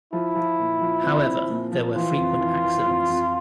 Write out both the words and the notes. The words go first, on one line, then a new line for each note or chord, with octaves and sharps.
However, there were frequent accidents.
F3 E4
F3
A#2
F3
C4
C4
A#2
F3
E3 F4
F2
E3
E3
F2
F2